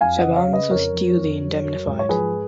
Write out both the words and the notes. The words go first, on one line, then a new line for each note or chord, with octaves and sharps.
Chabannes was duly indemnified.
F2 F5 G#5
D#5 F#5
C#3
C#5 F5
C#3
B4 D#5
F2 A#4 C#5
F3
F2
F#3
F#3
G#2
C#5
F3 G#4 B4